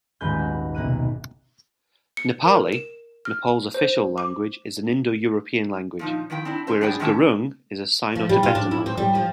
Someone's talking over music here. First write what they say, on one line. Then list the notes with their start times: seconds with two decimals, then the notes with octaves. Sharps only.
Nepali, Nepal's official language, is an Indo-European language, whereas Gurung is a Sino-Tibetan language.
0.21 D#1 G#1 G#3 B4 G6
0.39 F#4
0.75 B1 C3 A#3 F#6 D#7
2.17 C#7
2.46 A#4
2.72 E7
3.25 F6
3.74 C5
4.18 D6
5.99 A#2 F3 D#4
6.30 D#3 F3 E4 G5
6.45 C4 D4 E4
6.67 C#4 C5 E5
6.81 F#2 G3 D4 G#4 D5 G5
6.99 G#2 D#3 C#4 E5 G5 A5
8.16 F3
8.29 G3
8.43 F4
8.55 D4
8.71 E4
8.86 C4
8.97 G3
9.15 F3